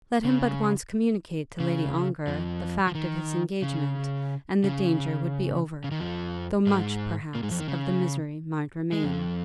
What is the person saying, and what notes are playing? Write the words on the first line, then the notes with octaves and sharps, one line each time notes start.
Let him but once communicate to Lady Ongar the fact of his engagement, and the danger would be over, though much, perhaps, of the misery might remain.
C#3
C#3
F2 F3
F3
D#3
C#3
C#3
C#3
D#3
F2 F3
G#2 G#3
A#2 A#3
G#2 G#3
F2 F3
D#3
C#3
G#3
F2 F3